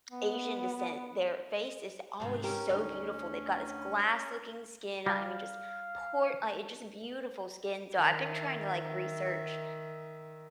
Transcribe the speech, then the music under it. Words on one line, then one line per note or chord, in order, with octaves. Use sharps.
Asian descent, their face is always so beautiful, they've got this glass-looking skin. I mean, just por uh, it's just beautiful skin, so I've been trying to, like, research,
B3
G#2 C3 D#3
C#4 G4 A#4
D2 D#4
G3 F5
D#3 E5